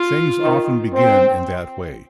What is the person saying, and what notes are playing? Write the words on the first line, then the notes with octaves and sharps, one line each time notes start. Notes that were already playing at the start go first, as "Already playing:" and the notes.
Things often begin in that way.
Already playing: F4
D#3
C4